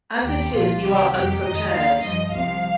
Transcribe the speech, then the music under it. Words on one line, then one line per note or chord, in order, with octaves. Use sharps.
As it is, you are unprepared.
D#2 D#3 G4
C2 A#2 F3 F4
C2 C3 D#3 G4
F2 D#3 G4
F2 D#3 D#5
D#2 D#3 F5
G2 F3 D#5
C2 C3 F3 F5